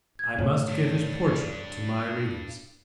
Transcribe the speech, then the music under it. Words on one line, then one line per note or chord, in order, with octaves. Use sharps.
I must give his portrait to my readers.
G#6
G#2 C#3 A3 C#5
G2 D4